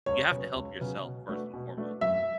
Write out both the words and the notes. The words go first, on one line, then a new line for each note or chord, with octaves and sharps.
you have to help yourself first and foremost.
C#2 C#5
C#3 F#3 B3
C#2
C#3 F#3 B3
B2
A3 D4 F#4 B4
B2
A3 D4 F#4 B4
F#2 E5